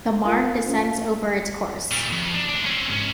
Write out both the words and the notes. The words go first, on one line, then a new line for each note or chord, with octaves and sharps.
The Marne descends over its course.
F4 A#4
C#4
A#2 G3
F2
D4 D#4
D2 D4
C4 C#4
G#2 C#4